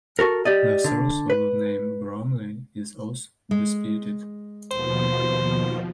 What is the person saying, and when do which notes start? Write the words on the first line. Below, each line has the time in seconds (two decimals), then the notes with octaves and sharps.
The source of the name Brumley is also disputed.
0.19 F#4 A4 A#4
0.45 G4 D5 D#5
0.84 D3
1.30 B4
3.51 G#3
4.71 D#2 B2 F3 C5